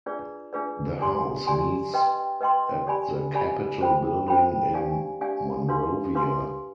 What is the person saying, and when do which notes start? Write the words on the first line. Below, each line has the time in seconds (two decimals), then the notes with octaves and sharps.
The House meets at the Capitol Building in Monrovia.
0.06 D4 F4 G#4 B4 D5
0.53 D4 F4 G#4 B4 D5
0.99 D4 G4 D5 G#5 C6
1.47 D4 G4 D5 G#5 C6
1.94 B4 D#5 G5 C6
2.41 B4 D#5 G5 C6
2.87 G4 D5 G#5 B5
3.34 G4 D5 G#5 B5
3.81 C5 G5 B5
4.28 C5 G5 B5
4.74 D4 G4 D5 F5 G#5
5.21 D4 G4 D5 F5 G#5
5.68 D4 G4 B4 F5 C6
6.15 D4 G4 B4 F5 C6